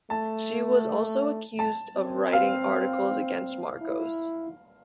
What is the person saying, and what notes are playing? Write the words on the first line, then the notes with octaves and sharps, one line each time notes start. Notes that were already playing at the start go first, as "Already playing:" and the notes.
She was also accused of writing articles against Marcos.
A3 A5
A5
C4
F5
E4